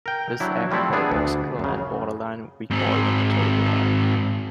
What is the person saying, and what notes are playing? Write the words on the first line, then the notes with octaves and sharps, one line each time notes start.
This act, paradoxical and borderline, we call a total act.
A#4 G5
F#3 D4 E4
F3 G3 A3 C4 E4
G3 B3 D4 G#4
D2
F#2 C#3
G#2 C4